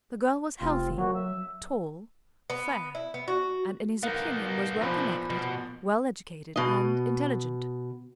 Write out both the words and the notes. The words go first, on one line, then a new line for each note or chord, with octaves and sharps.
The girl was healthy, tall, fair, and in his opinion was well connected, well educated and intelligent.
F1 C4 F4
D2 F#3 A#3 F#4
E5
B3
E4
B3
F#4
B3 D#4 A#4 F5
A#2 F3 B3 D#4 B4
B2
B2 D#5